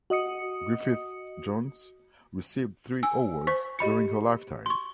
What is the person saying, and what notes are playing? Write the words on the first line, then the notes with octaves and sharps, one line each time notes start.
Griffith-Jones received three awards during her lifetime.
F#4 D#5 D#6 C#7
G#5 E6
C5 C#6 B6
G4 D#5 B5 C#7
C6 C#6